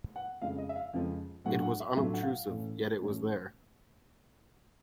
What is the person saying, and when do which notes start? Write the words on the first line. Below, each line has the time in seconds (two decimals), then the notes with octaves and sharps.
It was unobtrusive, yet it was there.
0.16 F#5
0.42 F2 C#3 F3 G#3 F5
0.58 D#5
0.69 E5
0.76 F5
0.93 F2 C#3 F3 G#3
1.44 A2 F#3 A3 D4 F4 F#5
1.62 F#5
1.80 E5
1.96 A2 F#3 A3 D4 F4 E5
2.14 F#5
2.22 F5
2.49 A2 E3 A3 C#4
3.00 A2 E3 A3 C#4